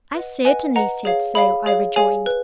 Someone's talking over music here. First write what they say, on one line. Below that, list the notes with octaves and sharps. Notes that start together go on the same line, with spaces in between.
"I certainly said so," I rejoined.
B4 D#5 F#5
B4 D#5 F#5 G#5
B4 D#5 F#5 A#5
G#4 C#5 F5
G#4 C#5 F5 B5
G#4 C#5 F5
G#4 C#5 F5 G#5
B4